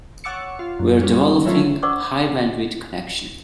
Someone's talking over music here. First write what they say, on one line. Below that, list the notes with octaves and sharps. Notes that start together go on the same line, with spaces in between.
We're developing a high bandwidth connection.
C#5 F#5 D6 E6 A6 C#7
F4
F#2
G3 C#4
E3 F#3 A3 C#4 E4 F4
C5 D5 F#5 C#6 D6 E6